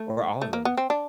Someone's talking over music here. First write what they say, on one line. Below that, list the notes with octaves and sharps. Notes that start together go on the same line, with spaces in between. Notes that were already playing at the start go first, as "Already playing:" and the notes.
Or all of them?
Already playing: A3
A3
A#3
B3
C4
D4